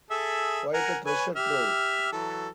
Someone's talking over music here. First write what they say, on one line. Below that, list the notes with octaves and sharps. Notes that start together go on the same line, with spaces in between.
Quite a treasure-trove.
G#4 A4 E5
A#4 F#5 G#5
B4 C#5 G#5
G4 E5 F6
E3 F#3 A4